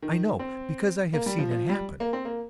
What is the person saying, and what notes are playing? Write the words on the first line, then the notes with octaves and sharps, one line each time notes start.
I know, because I have seen it happen.
D#3
C4
A#3
G3
F3
F3
G3
A#3
C4
A#3